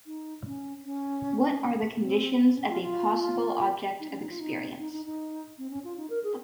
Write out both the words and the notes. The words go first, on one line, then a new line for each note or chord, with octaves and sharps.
What are the conditions of a possible object of experience?
D#4
C#4
C#4
C4
C4
C#4
F4
F4
D#4
C#4
D#4
F4
D#4
D#4
D#4
D#4
C4
C#4
F4
D#4
A#4
G#4